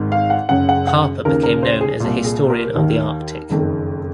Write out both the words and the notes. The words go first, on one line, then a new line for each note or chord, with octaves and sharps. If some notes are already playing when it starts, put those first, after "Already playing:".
Harper became known as a historian of the Arctic.
Already playing: G#1 G#2 D#3
F5
F#5
F#1 F#2 C#3 F#5
F#5
F#5
D#2 C#3 A#4
A#4
C5
G#4
C2 A#2
G#4
A#4
D#2 D#3
F#1 F2 D#3